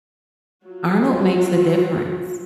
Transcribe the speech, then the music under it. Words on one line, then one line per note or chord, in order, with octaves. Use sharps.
Arnold makes a difference.
F#3 F4 F#4